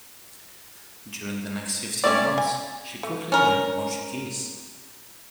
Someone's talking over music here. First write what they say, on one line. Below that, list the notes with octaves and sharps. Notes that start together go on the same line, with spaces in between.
During the next fifteen months, she quickly learned Portuguese.
G3 A3 C#4 D5
G#5
A3
C#4 A#4